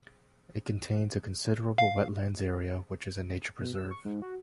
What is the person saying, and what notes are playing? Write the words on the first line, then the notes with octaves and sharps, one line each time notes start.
It contains a considerable wetlands area which is a nature preserve.
F5
B2
E6
C#6
G#2
F#4